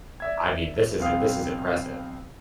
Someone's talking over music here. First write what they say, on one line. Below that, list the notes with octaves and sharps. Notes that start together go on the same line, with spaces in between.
I mean, this is i this is impressive.
D5 E5 G#6
B1 C4 F5 D#6